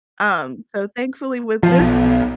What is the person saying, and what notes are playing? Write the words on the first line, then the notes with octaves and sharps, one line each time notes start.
Um, so thankfully, with this,
F3
B1